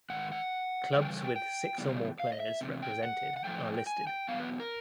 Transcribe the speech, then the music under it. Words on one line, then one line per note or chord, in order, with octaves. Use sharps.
Clubs with six or more players represented are listed.
G#2 D#3 F#5
F#5
C#3 E3 G3 G5
G5
C#3 E3 G3 B3
F5
D#5
E5
E2 C3
G5
F#5
F#5
A2 F3 A3 G5
G#5
G5
E2 B2 F#3 B3 F5
B4
A#4